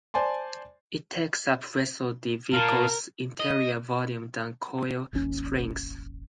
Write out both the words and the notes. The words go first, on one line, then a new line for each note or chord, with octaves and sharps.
It takes up less of the vehicle's interior volume than coil springs.
C5 D5 G#5 A5 C6
A#2 A#4 F5 A5
D#5
D#1 G#1 D#2 C#4